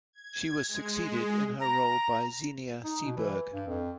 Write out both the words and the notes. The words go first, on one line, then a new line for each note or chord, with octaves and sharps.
She was succeeded in her role by Xenia Seeberg.
G#6
G#3
A#5
D#4
B2
E3
G2
F2